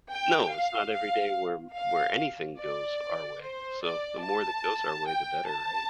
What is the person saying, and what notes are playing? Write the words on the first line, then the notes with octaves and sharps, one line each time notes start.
No, it's not every day where where anything goes our way, so the more that goes our way, the better, right?
G5
F5
F5
F5
D5
C5
D5
A5
G5
A5